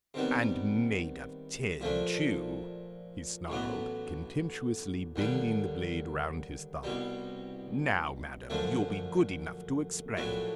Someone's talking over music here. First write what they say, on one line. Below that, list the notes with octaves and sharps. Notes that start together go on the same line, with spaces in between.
And made of tin, too!" he snarled, contemptuously bending the blade round his thumb. "Now, Madam, you'll be good enough to explain.
C3 D#3 G3 B3
A#2 F3 A3 D4
A1 A2 F#3 B3
D#2 D3 G3
C2 B2 G3
F#2 D3 F3 A3
A#1 A2 F#3 A3 D4